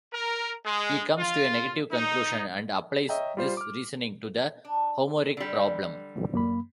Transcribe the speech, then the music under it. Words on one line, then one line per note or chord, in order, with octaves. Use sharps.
He comes to a negative conclusion, and applies this reasoning to the Homeric problem.
A#4
G#3
F4
D#4
C#5 D#5 E5 G5 A#5
G3 F4 C5
D6 F6
D4
D3 G3
F#2 A#3 B5